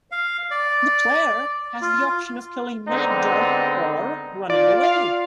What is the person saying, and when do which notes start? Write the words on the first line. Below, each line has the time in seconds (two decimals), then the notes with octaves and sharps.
The player has the option of killing Mad Dog or running away.
0.12 F5
0.51 D5
1.82 F4
2.88 D3 G#3 B3 C4 D#4
4.50 F4 D5
4.83 F5